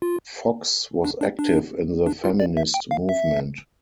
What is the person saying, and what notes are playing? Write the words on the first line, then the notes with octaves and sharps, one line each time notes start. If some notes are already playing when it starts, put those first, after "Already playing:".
Fox was active in the feminist movement.
F4
D4
D4
D4
D4
F4
D5
E5
G5
F5
E5